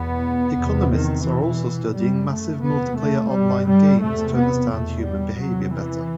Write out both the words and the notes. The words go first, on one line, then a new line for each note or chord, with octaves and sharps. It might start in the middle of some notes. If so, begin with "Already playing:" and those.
Economists are also studying massive multiplayer online games to understand human behavior better.
Already playing: E2 B2 B3
E2 C3
D#3
E2 B2 E3
F#2 G3
A3
E2 C3 B3
A3
G2 G3
G3
E2 C3 A3
B3
E2 B2 A3
G3
E2 C3 F#3
E3